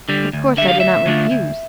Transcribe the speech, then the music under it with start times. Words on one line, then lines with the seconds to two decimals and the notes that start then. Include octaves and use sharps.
Of course I did not refuse.
0.09 D3 G3
0.33 D2
0.57 D3 G3 E5
0.68 F5
0.80 D2 E5
1.06 D3 A3 D4 F4
1.31 D2